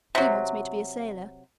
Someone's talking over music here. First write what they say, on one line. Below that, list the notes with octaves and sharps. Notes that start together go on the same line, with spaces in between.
"He wants me to be a sailor."
C3 F#3